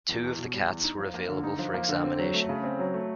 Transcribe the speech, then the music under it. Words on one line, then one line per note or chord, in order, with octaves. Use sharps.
Two of the cats were available for examination.
E2
E2
B2
G3
E2
D#4
F3
A#3
D3
D#4
F3
A#3
D3
C4
F#3
A3
C#3
C4
F#3
A3